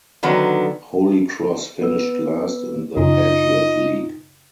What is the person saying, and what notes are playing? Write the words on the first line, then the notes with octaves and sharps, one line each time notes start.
Holy Cross finished last in the Patriot League.
D3 D#3 F#3 B3
B3 B4 E6
F#2 C#3 D#4 F4 D#5